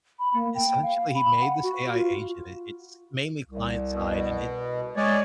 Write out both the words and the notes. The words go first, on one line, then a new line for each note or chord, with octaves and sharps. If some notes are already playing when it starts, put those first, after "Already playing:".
Essentially, he made this AI agent. It it's mainly client side, and it
B5
A#3
G5
F5
B5
F#5
F#4
F4
C2
B2
G#3 C#5 D5